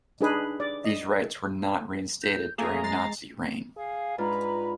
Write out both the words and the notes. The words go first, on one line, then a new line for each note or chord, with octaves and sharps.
These rights were not reinstated during Nazi reign.
D4 D#4 G#4 B4
D5
D#5
G6
A3 A#3 G#4 A#5
G#3 A6 C7
G#4 F5
G#2 D4 F4 B4 A#5 B5